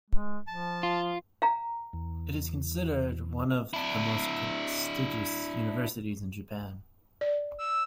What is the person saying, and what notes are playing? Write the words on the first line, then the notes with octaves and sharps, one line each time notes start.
It is considered one of the most prestigious universities in Japan.
G#3
F3 A5
F4
F5 A#5
E2
D4 E4
D5
E6